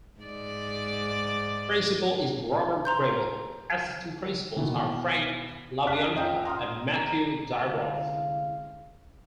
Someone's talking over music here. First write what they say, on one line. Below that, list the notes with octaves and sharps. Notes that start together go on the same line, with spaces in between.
Principal is Robert Grable; assistant principals are Frank LaBianca and Matthew Dyroff.
G#2 D5
A#5 C6 G6
B2 D#3 E3
D5 F5 A5 F6 F#6 B6
C#4 F4 D#5 F5 G5 A#5
A#5 C6 D#6 F6
A#5
C2 D3 G#3 C#4 E4 F5